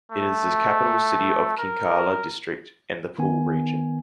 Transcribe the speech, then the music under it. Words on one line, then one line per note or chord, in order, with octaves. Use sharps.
It is the capital city of Kinkala District and the Pool Region.
A3
A#4
D#3 B3 G#5